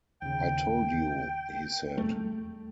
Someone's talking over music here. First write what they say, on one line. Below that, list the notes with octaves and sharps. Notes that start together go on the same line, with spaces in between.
"I told you," he said.
D#2 C#3 G5
E2 G3 A3